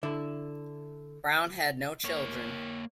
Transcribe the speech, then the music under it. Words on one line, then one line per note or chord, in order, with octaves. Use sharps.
Brown had no children.
D3 E4
A#3 C#5